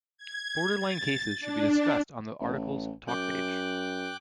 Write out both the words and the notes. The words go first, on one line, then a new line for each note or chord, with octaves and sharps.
Borderline cases should be discussed on the article's talk page.
G#6
A6
D4
A1
F#2 G5 D6 F#6